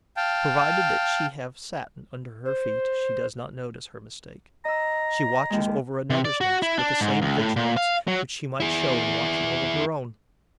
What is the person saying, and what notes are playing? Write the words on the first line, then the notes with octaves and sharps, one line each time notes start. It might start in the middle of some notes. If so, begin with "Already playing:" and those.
Provided that she have satin under her feet, she does not notice her mistake; she watches over another's nest with the same vigilance which she might show in watching over her own.
F5 G5 A5
C5
D#5 A#5 E6
D#2 G#3
C3
D5
F#4
E4
D4
G#2
C#2
A2
A#2
F5
F#3
E4 G#4